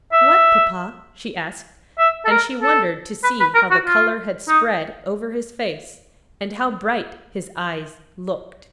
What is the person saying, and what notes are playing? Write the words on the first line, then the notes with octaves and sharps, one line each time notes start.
"What, papa?" she asked, and she wondered to see how the color had spread over his face, and how bright his eyes looked.
E5
E5
A4
A#4
A4
B4
B4
A#4
F#4
F4
D#4